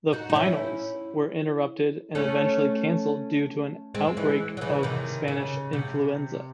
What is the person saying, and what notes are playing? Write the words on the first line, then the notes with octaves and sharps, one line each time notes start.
The Finals were interrupted and eventually cancelled due to an outbreak of Spanish influenza.
D#4 F#4
D#4
C#4 E4
A3 C#4
G#3 C4
E3 G#3
F#3
C#3 E3
C3 D#3
C#3
C3